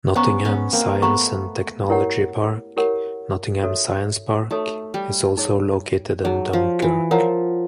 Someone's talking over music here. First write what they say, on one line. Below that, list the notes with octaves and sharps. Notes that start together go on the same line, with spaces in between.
Nottingham Science and Technology Park, Nottingham Science Park, is also located in Dunkirk.
B3 C#4 C5 F5 A#5 C#6
B3 C#4
A#3 C4
A3 B3 C5 F5 A#5 C#6
E4 G4 A#4 C#5 F#5
E4 G4 A#4 C#5 F#5
D#4 F#4 A4 C#5 E5
A3 D#4 F#4 A4 C#5 E5
G3
D#4 G#4 C#5
F#3 D#4 G#4 C#5
F3
E3
F3 A#4 C#5 F#5 A#5